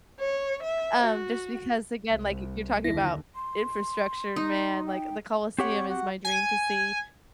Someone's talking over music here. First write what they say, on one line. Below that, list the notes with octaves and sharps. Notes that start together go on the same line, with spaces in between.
Um, just because, again, like, you're talking about infrastructure, man. Like, the Colosseum is my dream to see.
C#5
E5
F#4
C2
D#2 D3 E4 A#6
C6
D#4
G5
C4 G4 C#5 F#5
F#4
G#5